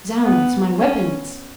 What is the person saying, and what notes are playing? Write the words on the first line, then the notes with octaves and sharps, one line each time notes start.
"Zounds! my weapons."
B3
C#4